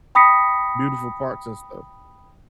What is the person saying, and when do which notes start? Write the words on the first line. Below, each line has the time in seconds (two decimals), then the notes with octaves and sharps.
beautiful parks and stuff
0.15 G5 B5 D#6 A#6 B6 C#7